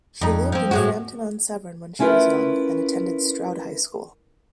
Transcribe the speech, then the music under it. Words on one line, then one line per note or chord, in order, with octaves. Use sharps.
She lived in Frampton-on-Severn when she was young, and attended Stroud High School.
F2 D#4
F3 C4
A2 G#3 F#4
A3 C#4 E4 F4 A#4 B4